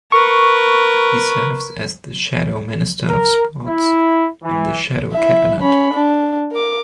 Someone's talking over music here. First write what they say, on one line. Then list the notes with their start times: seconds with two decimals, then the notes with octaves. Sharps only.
He serves as the Shadow Minister of Sports in the Shadow Cabinet.
0.12 A#4 B4 C#6
3.08 A#4
3.66 E4
4.43 E3
5.12 E4 E5
5.60 C#4 B5
5.94 D4
6.52 A#4 D6